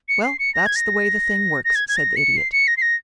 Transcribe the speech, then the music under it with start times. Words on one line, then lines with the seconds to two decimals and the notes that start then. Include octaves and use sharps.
"Well, that's the way the thing works," said the Idiot.
0.09 C#7
0.23 C7
0.39 C#7
0.54 A#6
0.66 G#6
0.76 A#6
1.65 A#6
1.75 G#6
1.89 G#6
1.97 A#6
2.16 C#7
2.37 C7
2.52 C#7
2.67 A#6
2.77 C7
2.82 A#6